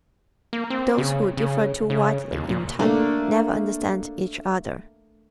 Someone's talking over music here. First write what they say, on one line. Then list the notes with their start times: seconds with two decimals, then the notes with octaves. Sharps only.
Those who differ too widely in type never understand each other.
0.53 A#3
0.70 C4
0.98 C#3
1.37 C#3
1.90 C#3
2.32 D#2
2.49 A#2
2.79 A3 A#3 D4